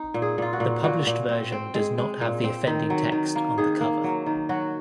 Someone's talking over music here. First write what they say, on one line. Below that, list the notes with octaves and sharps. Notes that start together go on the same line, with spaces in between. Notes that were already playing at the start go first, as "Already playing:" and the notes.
The published version does not have the offending text on the cover.
Already playing: C4 D#4
A#2
G#4
A#2 F4
F#4
A#2
A#2 F#4
A#2
C4
C4
G#3
G#3
A#2
C4
D#3
F#3
D#3
A#3
D#3 G#4
A#3
F#3
D#3
F#3 F#4